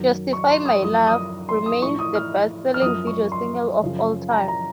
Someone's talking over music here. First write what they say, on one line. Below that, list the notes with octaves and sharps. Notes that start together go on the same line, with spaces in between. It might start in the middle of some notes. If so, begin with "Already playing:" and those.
"Justify My Love" remains the best-selling video single of all time.
Already playing: F#2 D#3 F#3
C#6
C6
D#6
F#2 F3 D#6
D#6
C6
D#6
A2 F3 C#6
D#6
F6
F6
F#2 F3 D#6
C#6
C6
F#2 C#3 F3
A#5
A#5